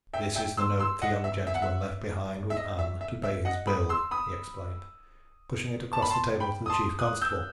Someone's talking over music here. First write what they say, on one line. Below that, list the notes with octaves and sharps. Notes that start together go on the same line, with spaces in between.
"This is the note the young gentleman left behind with Ann to pay his bill," he explained, pushing it across the table to the chief constable.
E5 G5
E5 G5
C6 E6
C6 E6
D#5 F#5
E5
E5
F#5
E5
E5
D#5
E5
E5
E5
D#5 F#5
B5 D#6
C6 E6
B5 D#6
A5
B5
A5 C6
G5 B5
D#6
A5 C6
D#6 F#6
E6 G6